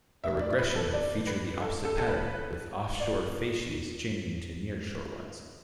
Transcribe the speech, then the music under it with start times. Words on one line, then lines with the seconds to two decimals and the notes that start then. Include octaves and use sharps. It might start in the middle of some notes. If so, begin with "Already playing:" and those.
A regression will feature the opposite pattern, with offshore facies changing to nearshore ones.
0.24 E5
0.40 D5
0.58 B4
0.76 A4
0.93 D5
1.27 B4
1.62 A4
1.85 A4
1.99 A4
2.08 B4
3.00 D5